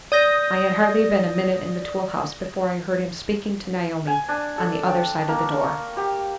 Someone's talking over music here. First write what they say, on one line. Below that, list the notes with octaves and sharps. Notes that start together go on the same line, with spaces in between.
I had hardly been a minute in the tool-house before I heard him speaking to Naomi on the other side of the door.
D5 D#6 G6 A#6
G#5
D4
A4
G5
A#3
C#6
G4